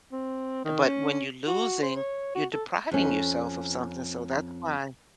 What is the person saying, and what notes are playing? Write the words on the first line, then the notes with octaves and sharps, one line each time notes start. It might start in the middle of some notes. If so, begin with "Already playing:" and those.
But when you're losing, you're depriving yourself of something, so that's why
C4
D#3
C#4
F#4
C5
C#5
F#4
A4
F2 C#4